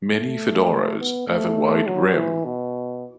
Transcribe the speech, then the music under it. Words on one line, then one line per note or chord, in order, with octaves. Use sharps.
Many fedoras have a wide brim.
A3
B3
A3
F#3
E3
B2